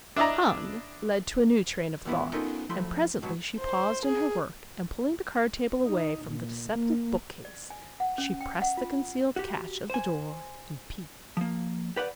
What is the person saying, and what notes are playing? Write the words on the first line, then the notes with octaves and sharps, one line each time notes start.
"Tongue" led to a new train of thought, and presently she paused in her work, and pulling the card-table away from the deceptive book-case, she pressed the concealed catch of the door, and peeped in.
D4 E4 D5 D#5 A#5
E2 A#2 B3 E4 B4
B3 C#4 D#4 F4 A4 A#4
F3 F#3 A3 E4 C6
G#2 B2 F#3 B3
C5
G#4
D#4
A#2
A#3
D5
G#5
F#5
C#4
G5
F#5
F4
F#4 G4
C5 G#5
F3 A#3
G4 B4 D5 F#5